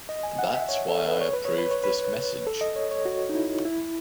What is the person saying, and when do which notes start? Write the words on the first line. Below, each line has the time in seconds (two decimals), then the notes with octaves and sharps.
That's why I approved this message.
0.09 D#5
0.23 G#5
0.39 F#5
0.54 E5
0.69 C#5
0.88 A4
1.08 B4
1.21 C#5
1.33 B4
1.45 C#5
1.58 B4
1.71 C#5
1.84 B4
2.47 A4
2.61 D#5
2.76 C#5
2.91 C#5
3.05 F#4
3.29 D#4
3.35 E4
3.65 E4